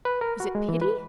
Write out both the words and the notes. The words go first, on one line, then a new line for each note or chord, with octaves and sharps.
Was it pity?
B4
A#4
F#4
G#3
E3
B4